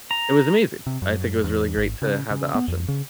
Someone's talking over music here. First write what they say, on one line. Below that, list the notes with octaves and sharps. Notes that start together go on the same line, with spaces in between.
It was amazing. I think it was really great to have the option.
A#5
C3
F#2
E2
G#1
C#3
C#3
B3
F2
C#3